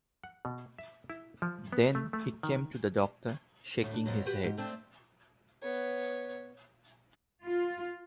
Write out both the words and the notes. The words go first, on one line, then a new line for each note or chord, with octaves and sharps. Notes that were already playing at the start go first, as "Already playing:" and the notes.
Then he came to the Doctor, shaking his head.
F#5
B2
E5
E4
F3
B3
A3
A3
D#3
D2 A2
D4
F2 B2 F#3
F#4 G4 B4
G#2 G4
A3 C4 D4
B3 C#5
F4